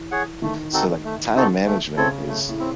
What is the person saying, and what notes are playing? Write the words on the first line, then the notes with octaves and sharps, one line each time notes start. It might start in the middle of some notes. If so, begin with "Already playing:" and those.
So, like, time management is
Already playing: E3
G#4 C#5 F#5
D#3 A3
C4 D#4 F#4 A4
A3
C4 D#4 F#4 A4
A3
C#3 C4 E4 A4 C#5
A3
A2
C4 E4